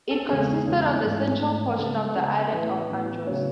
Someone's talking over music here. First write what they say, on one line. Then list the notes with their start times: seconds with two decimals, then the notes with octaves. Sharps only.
It consisted of the central portion of the island of Andros.
0.11 A4
0.29 E2 C#3 G#3 G#4
0.66 E2 C#3 G#3
1.03 G#2 E3 A3
1.40 G#2 E3 A3
1.78 C#3 G#3 B3 A4
2.15 C#3 G#3 B3
2.52 A2 E3 B3 B4
2.90 A2 E3 B3
3.26 C#3 F#3 B3 C#5